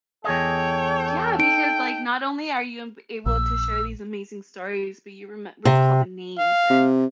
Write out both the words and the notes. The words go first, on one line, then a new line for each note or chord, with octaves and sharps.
Yeah, because, like, not only are you ab able to share these amazing stories, but you reme recall the names and
E2 G#4 A4 C#5 D#5 G5
D#4 G5 D7
A#1 E6
C3
F5
C3